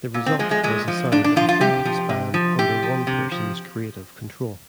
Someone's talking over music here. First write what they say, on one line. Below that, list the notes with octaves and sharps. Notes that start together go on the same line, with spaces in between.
The result was the sound of a three-piece band under one person's creative control.
A#2
C4
F3 G#3
G#3
A#2 G#3
F3
A#2 D4
D4
F3 F4
F4
C3 G4
F3
C3
F3
C3 G4
F3
C3
F3